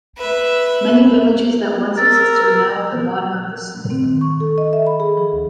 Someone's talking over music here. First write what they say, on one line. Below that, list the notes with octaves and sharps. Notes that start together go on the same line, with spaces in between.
Many villages that once existed are now at the bottom of the sea.
B4 E5
A#4 E6 A6
C4
D#3
C#6
A4
D#5
E5
B5
G#4
F3
D2